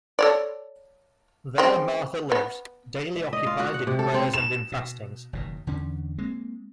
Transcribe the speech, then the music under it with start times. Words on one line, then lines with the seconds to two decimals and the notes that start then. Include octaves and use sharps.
There Martha lived, daily occupied in prayers and in fastings.
0.19 A4 C#5 D5
1.58 C#3 G#3 C4
2.32 B3
3.16 E5
3.33 D#5
3.46 F4
3.60 F#4
3.74 F#5
3.87 C3
3.99 A4
4.14 C4
4.33 E7
4.72 B2
5.33 F#1 B2 D#3
5.67 E2 D3 C#4
6.18 G#3 A#3 C4